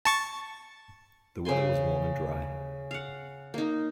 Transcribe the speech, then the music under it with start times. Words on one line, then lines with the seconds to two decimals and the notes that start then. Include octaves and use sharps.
The weather was warm and dry.
0.05 A5 C#6 A6
1.45 C#3 C5 G#5 C6
2.91 F5 F#5
3.54 A#3 D#4